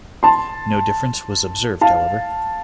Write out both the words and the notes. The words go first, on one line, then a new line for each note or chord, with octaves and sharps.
No difference was observed, however.
A5 C6
F5 A5